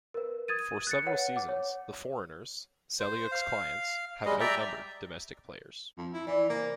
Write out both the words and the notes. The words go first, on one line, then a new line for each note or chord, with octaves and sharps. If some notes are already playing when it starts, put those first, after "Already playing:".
For several seasons, the foreigners, Selyuk's clients, have outnumbered domestic players.
A#4 B4
D#6 G#6 A6 D#7
F#6 A6 C#7
B4 C#5 F#5
F#5 D6
C#5
C5
F5
G3 G#3 D#5
D5 E5 G5 A#5
F2
E4
E3 D5
C3 A#3